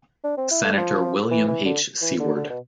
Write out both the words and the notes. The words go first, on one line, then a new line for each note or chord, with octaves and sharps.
Senator William H. Seward.
D4
C4
E4
A3
G3
F3
E3
E3
D3
E3
D3
D3
B2